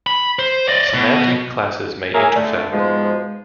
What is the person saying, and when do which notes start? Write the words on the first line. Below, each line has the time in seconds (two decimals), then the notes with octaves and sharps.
Semantic classes may intersect.
0.07 B5
0.39 C5
0.68 D5 D#5
0.94 B2
2.14 A#3 G#4 A#4 C#5 E5 G#5
2.35 D3 A3
2.72 G#2 B2 F3 G#3